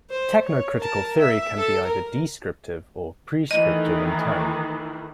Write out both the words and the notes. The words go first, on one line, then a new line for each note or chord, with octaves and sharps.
Technocritical theory can be either "descriptive" or "prescriptive" in tone.
C5
C#5
A#4 A5
E5
A4
A#4
D#3 E3 A3 D#5